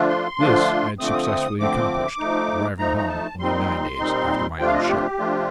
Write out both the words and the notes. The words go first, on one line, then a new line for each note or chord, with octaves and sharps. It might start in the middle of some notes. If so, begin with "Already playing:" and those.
This I had successfully accomplished, arriving home only nine days after my own ship.
Already playing: D3 F3 A3 D4 F4
C6
D3 F3 A3 D4 F4
D3 F3 A3 C4 D#6
D6
D#6
D3 F3 A3 C4 D6
F3 A3 D#4
F3 A3 D#4 A#5
A#5
A5
A#2 G3 C4 D#4 C6
A#2 G3 C4 D#4
C3 F3 A3 D4 F4 G5
F5
D#5
F5
G4
C3 F3 A3 D4 F4